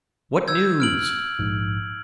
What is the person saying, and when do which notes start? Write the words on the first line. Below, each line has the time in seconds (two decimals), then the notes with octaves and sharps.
"What news?"
0.48 E6 G6 G#6
0.80 F6 D7 F#7
1.39 A#1 G#2